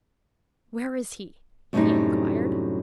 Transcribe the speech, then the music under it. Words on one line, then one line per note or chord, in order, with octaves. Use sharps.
"Where is he?" he inquired.
F#2 A2 C3 F#3 G3 D#4